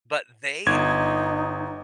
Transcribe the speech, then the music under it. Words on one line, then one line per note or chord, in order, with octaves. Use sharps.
but they
G1 D#4 G#6